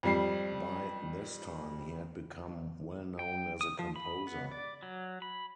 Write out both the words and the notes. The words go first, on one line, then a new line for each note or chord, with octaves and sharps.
By this time he had become well known as a composer.
F2 G3 C7
G5
D#6
F3
B5
B3
D5
F#3
B5